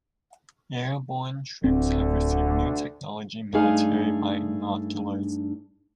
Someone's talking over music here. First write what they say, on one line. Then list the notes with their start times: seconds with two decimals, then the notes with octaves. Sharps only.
Airborne Troops have received new technology military binoculars.
1.64 D1 D2 D3 C4
3.53 G2 A3 D4 D#4 G#4 F5